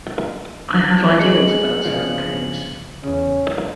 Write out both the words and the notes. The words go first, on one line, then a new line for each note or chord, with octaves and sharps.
I have ideals about certain things.
G#3 G#4 C#7 F#7
G2 C#3 F3
E2 C#3 C#4